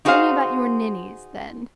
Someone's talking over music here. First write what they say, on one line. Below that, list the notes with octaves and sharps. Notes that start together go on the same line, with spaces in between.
"Tell me about your ninnies, then."
D#4 F#4 G#4 C5 F5